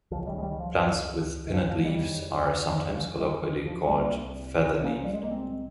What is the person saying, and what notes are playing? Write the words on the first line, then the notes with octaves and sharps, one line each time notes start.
Plants with pinnate leaves are sometimes colloquially called "feather-leaved".
C#2 C#3 F3
D#3 G3
G#3
D#3 G3
F3
D#3
F3
F3
G#3
D#3 G3
F2 C#3
G3
F3 G#3
D#3 G3
D#3
F3
G#3
C2 C3 G3 A#3
A#3 C#4
F3
G3
G#3
A#3
G#3 C4